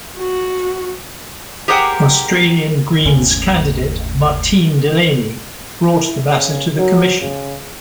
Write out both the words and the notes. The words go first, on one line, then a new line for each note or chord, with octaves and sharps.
Australian Greens candidate Martine Delaney brought the matter to the Commission.
F#4
G4 G#4 A#4 C5 F#5 G5
G1 D#2 A2 C#4
E4
C#3
F#3
C#3